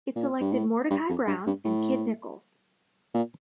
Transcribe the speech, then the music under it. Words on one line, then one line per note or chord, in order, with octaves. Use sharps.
It selected Mordecai Brown and Kid Nichols.
A#2
G2
A2
G2
F2
G2
G2
A2
A#2